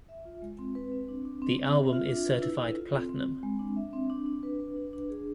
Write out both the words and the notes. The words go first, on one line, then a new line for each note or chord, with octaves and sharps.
The album is certified platinum.
E5
F4
G#3
C4
B4
C4
D4
D4
C4
C4
E5
F4
D4
B4
E4
A4
F4
C4
C4
C4
G#3
D4
E5
C4
D4
D4
B4
B4
D4
D4
G#4